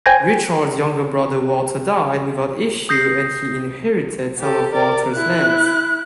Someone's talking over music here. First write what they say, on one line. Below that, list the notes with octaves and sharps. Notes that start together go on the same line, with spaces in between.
Richard’s younger brother Walter died without issue and he inherited some of Walter’s lands.
C5 G5 G#5 G6 G#6 A#6
D#6 G6 A#6 C7
G4 A4
A#4 D5
E4 F#6